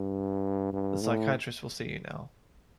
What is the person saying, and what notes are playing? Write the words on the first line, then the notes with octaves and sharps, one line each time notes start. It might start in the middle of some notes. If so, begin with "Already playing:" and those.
The psychiatrist will see you now.
Already playing: G2
G2
A2